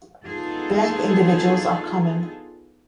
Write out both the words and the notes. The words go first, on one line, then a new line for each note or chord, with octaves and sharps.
Black individuals are common.
B3 D4 D#4 F4 G#4 A4